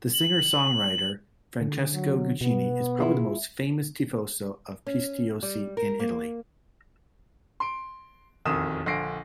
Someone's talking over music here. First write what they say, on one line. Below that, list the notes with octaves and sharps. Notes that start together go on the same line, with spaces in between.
The singer-songwriter Francesco Guccini is probably the most famous "tifoso" of Pistoiese in Italy.
F#7
D3
F#3
B2 B3
E4 F4 G#4
C#4
G3
A#4
A#3
C6 D7
E1 A#1 F2 D#3 D#6 E7
A#1 D3 A#6 C7 D7